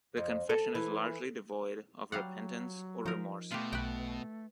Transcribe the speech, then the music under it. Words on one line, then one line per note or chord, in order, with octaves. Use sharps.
The confession is largely devoid of repentance or remorse.
F2
A4
E3
F#3 G3 F5 F#5
F3 D#4 A#4
B2 A3 F4 G4
B1 B4 G5